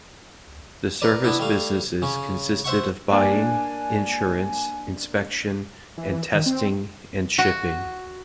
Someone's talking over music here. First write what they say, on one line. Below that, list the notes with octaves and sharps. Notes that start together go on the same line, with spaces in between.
The service businesses consisted of buying, insurance, inspection and testing, and shipping.
A#4 B4 D5
B3 D4 E4
G3 A3 F5
C#3 C#4
C5 E5 F#5 C#6
A#3 D4 D5 G#5
E3
D#3
C4
F#4